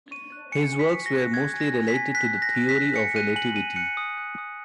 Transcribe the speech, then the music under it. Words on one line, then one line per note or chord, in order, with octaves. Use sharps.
His works were mostly related to the theory of relativity.
C#6 D#7
F#6
G#5 C#7
G#5
B6
C#6
A#6
F#6
F#6 G#6
G#5
A#6
G#5
B6
G#5
F#6 B6
F#6
A#6
F#6
B6
F#6
G#5 C#7
F#6 D#7
G#5 F#7
G#5 D#7
F#6 C#7
D#6
F#6
D#6